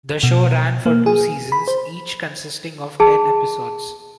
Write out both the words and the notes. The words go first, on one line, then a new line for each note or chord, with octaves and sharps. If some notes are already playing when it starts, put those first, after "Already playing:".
The show ran for two seasons, each consisting of ten episodes.
B2
A#3
G#4
B5
C5
G#4 A5